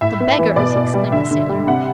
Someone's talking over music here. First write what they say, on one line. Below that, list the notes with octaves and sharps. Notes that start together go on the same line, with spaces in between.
"The beggars," exclaimed the sailor.
A2 E5
B3
E3
B2 D5
B2
G3
D3 E5
D3
G3
C3 F#5